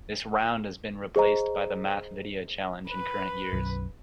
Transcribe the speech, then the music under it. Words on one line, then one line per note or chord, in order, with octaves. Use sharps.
This round has been replaced by the Math Video Challenge in current years.
G#4 C5 D#5 A#5
B4
B1 F#2